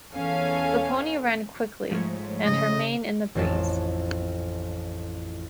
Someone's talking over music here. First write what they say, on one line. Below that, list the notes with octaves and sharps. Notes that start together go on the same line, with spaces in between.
The pony ran quickly, and her mane in the breeze.
E2 E3 C#4 A4 F5 G#5
G#2 F3 A3 C#5
C#3 D#5
A1 F2 A5